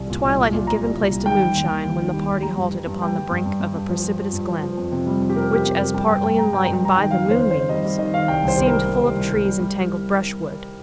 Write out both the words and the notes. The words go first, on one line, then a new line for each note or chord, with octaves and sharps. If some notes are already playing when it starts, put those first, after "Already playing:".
The twilight had given place to moonshine when the party halted upon the brink of a precipitous glen, which, as partly enlightened by the moonbeams, seemed full of trees and tangled brushwood.
Already playing: C2
A#2
C2
A#2
A#2
C2 A#5
C2
C2
G3
D#3 G5
G3
D#2
D#2
D#2
D#3
G3
D#2
G3 A#5
G2
G3
G2
G3 G5
G3
G2
G2
G2
G2
F3
F3
F3
G2
F3
F3
F2
C3
G3
F2
G4
C3 A#4
F2
G4
C3
A#4
G3
G3 G5
G2 G5
G2 G5
G2 A#5
G2 G5
G2 A#5
G5
G3 A#5
D#3 G5
F2 F5
F2
C5
F2
D#3 C5
G3 D#5
G3
D#3 D#5
D#3 F5
C2 G5
C2 C5
G3
G3 A#4
G3
C2
C2
G3
G3
G3